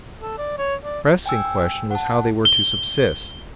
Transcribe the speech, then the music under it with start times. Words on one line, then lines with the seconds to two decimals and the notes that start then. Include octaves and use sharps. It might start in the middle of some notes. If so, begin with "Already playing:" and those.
The pressing question was how they were to subsist.
0.21 A4
0.38 D5
0.58 C#5
0.84 D5
1.26 G5 G#5 E6
1.91 F#5 A5
2.45 G7